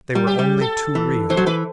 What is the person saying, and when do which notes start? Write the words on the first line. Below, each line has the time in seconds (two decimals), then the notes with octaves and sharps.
They were only too real.
0.15 G3
0.27 G4
0.39 G3
0.61 A4
0.95 E3
1.30 E3 C5
1.37 F#3
1.46 E3 B4